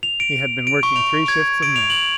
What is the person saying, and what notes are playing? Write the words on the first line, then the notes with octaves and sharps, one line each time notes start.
He had been working three shifts of men.
F7
D7
D7
C#6
F7
G#6
D7
F7
F#7